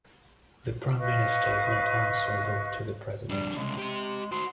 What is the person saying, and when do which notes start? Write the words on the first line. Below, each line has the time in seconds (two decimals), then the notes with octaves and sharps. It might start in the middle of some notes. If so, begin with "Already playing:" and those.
The Prime Minister is not answerable to the President.
0.98 B4 D#5 F5 C#6
3.29 F2 G3 D4
3.56 C2 C#3 G#3
3.78 G4 C6
4.32 F#4 C5 C6